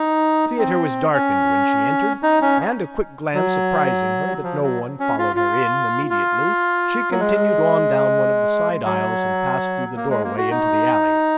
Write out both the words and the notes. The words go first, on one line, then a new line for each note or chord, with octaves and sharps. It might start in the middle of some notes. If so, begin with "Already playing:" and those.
The theater was darkened when she entered and, a quick glance apprizing her that no one followed her in immediately, she continued on down one of the side aisles and passed through the doorway into the alley.
Already playing: D#4
C4
C#4
D#4
C#4
F#3
F3
F#3
C#4
F4
F4
F4
F#3
G#3
F#3
A#3
G#3
A#3
F#4
D#4